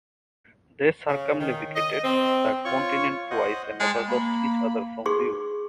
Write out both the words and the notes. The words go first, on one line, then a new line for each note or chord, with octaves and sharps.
They circumnavigated the continent twice and never lost each other from view.
C#3
D#3
D#5
C4
F4 C#5 C#6
C5 D#5 F#5
G#3 C5 G5 A5
A#3 B5
D#4 G#4 C6 C#6